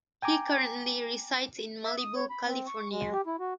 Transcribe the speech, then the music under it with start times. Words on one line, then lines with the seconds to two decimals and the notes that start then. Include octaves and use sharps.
He currently resides in Malibu, California.
0.22 G5 G#5 A#5 D6
1.84 E5
1.98 D#6
2.15 C#5
2.30 B5
2.45 C4
2.67 C#6
2.91 G#3
3.13 G4
3.27 E4
3.39 F#4